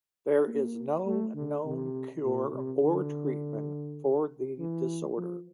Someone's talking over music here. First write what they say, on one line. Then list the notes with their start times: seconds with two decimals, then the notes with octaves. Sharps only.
There is no known cure or treatment for the disorder.
0.47 A#3
1.06 A3
1.35 D3
1.65 C3
2.24 A#2
2.53 C3
2.83 D3
4.59 E3
5.18 F3